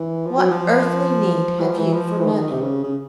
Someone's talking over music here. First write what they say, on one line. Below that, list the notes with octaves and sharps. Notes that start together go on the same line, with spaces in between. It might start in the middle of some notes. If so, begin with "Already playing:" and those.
What earthly need have you for money?'
Already playing: E3
F3
F#3
F3
E3
F3
E3
F3
E3
D#3
C3
C#3
C#3